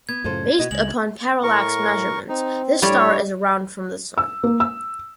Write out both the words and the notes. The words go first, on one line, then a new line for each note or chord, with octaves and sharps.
Based upon parallax measurements, this star is around from the Sun.
B3 G#6
F#2 A2 C#3 F4 A4 C5
B2 B3 F#4 D#5
C#2 G#3 F#7
A2 A#4 C#6
C4 D#4
A2 G3 G4 C#5 D5
E6
A#3
E6